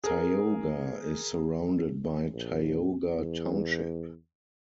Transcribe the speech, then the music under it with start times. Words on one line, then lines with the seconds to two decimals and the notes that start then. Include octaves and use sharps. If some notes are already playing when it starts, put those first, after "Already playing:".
Tioga is surrounded by Tioga Township.
0.04 G#4 A#4
2.34 A#1
3.19 E2